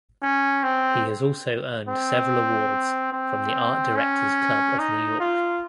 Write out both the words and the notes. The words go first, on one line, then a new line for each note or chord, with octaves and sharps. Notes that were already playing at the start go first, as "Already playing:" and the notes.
He has also earned several awards from the Art Directors Club of New York.
C#4
C4
C4
C4
C#4
D#4
F4